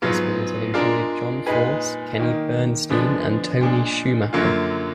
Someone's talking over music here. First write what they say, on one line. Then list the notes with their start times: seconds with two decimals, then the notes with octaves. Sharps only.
Past winners have included John Force, Kenny Bernstein, and Tony Schumacher.
0.02 G#2 F#3 B3 F4
0.74 G#3 D4 F4 A#4 D5
1.46 A#2 G#3 D#4 G#4 B4
2.18 D#3 A#3 D#4
2.89 D3 F3 G#3 B3 D4
3.61 A#2 G#3 D4
4.33 F#2 D3 F#3 A#3 F4